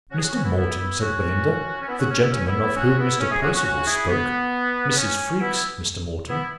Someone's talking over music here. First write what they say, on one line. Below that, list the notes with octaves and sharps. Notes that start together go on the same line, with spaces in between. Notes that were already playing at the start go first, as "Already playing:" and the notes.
"Mr. Moreton!" said Belinda, "the gentleman of whom Mr. Percival spoke, Mrs. Freke's Mr. Moreton?"
C#4 F#4
G#4
C#4 F#4
C#4 F#4
B3 E4
B3 E4
B3 E4
C#4 F#4
C#4
B3 E4
C#4 F#4
C#4
B3 E4
C#4
B3 E4
B3 E4
C#4 F#4
B3 E4
C#4
E4 G#4
C#4 F#4
C#4 F#4
C#4 F#4
E4 G#4
B3
B3
C#4
B3 E4
B3 E4